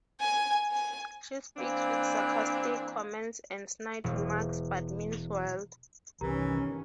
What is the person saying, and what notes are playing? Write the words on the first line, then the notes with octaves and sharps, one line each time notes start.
She speaks with sarcastic comments and snide remarks, but means well.
G#5
G#5
E3 A#3 C4 D4
E1
G1 C2 D#3 E3 C#4 G4 A#4 A#5